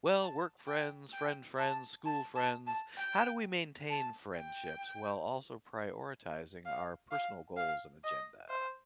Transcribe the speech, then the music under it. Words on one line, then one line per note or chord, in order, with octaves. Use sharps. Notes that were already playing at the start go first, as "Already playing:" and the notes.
Well, work friends, friend friends, school friends, how do we maintain friendships while also prioritizing our personal goals and agenda?
A5
G5
G5
A5
A5
A5
A5
G5
A5
G5
F5
F5
F5
D#5
C5